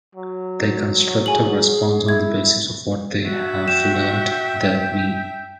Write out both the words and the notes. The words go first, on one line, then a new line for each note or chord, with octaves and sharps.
They "construct" a response on the basis of what they have learned, the "me".
F#3
G#4 G#5 F#7
E4 G#6
F#4 E5
G5 E7